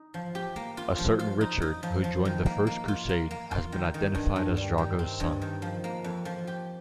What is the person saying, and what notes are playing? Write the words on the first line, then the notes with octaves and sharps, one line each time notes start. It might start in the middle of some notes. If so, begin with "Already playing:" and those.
A certain Richard, who joined the First Crusade, has been identified as Drogo's son.
Already playing: D#4
F3
G4
A#3
F4
F3
F4
D#4
D#4
F3
F3
D#3
A#3
A#3
F4
A#3
A#3
F4
D#3
D#3
G2
G2
G3
D#3
C4
G2
D#3
F3
A#3
F2
F3
G4